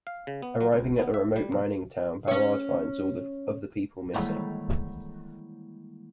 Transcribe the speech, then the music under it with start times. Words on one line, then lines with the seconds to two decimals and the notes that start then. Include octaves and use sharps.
Arriving at the remote mining town, Ballard finds all of the people missing.
0.07 F5
0.27 C#3
0.42 B3
0.61 F#3
0.73 C#2
0.99 B3
1.14 E5
1.36 G3
1.52 B1
2.28 C#4 C#5
4.14 D#3 E3 G3 G#3 A#3 E4